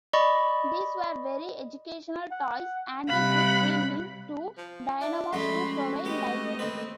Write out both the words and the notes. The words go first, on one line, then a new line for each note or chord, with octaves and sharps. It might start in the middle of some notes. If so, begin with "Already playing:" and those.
These were very educational toys, and could be linked to dynamos to provide lighting.
D5 D#5 B5 C#6
F#5
C3 G3 F5 B5 F#6
F3
D4 E5
F2 G#3 A3 C#4 F#4 B5 C6
G#3 A3 B3 G4 D#5
D#2 C4 B4